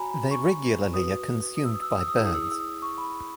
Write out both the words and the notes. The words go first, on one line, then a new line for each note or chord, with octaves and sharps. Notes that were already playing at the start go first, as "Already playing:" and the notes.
They regularly are consumed by birds.
Already playing: F#4 C#5 G#5 A#5 B5
B5
C#6
F#4 B4 D#6
D#6
E6
D#6
E6
D#6
E6
D#6
E4 G#4 C#5 E6
D#6
E6
D#6
E6
D#6
C#6
B5